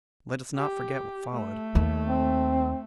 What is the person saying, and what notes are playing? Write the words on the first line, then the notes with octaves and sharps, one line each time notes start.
Let us not forget what followed.
G4
A3
D#2
C4